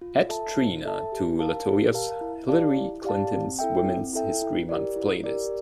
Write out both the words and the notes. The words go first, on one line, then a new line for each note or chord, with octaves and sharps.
Add Trina to latoya's Hillary Clinton's Women's History Month Playlist.
F4
A4 E5 A5
F4
A4 E5 A5
G4
A#4 F5 A5
G4
A#4 F5 A5
E4
G4 D5 F5 A5
E4
G4 D5 F5 A5
C4
E4 A4 E5 G5
C4
E4 A4 E5 G5
E4
G4 A#4 D5
E4
G4 A#4 D5